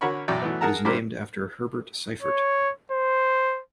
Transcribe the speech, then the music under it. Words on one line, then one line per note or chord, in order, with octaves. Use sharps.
It is named after Herbert Seifert.
D3 F#4 A#4 C#5 B5 C#6
A1 F#2 B2 D5 G5 A#5
E3 F#3 A3 B3
G#4 A#4 F#5 A5 A#5
G2 G3 E4 A#4 C5 D6
C#5
C5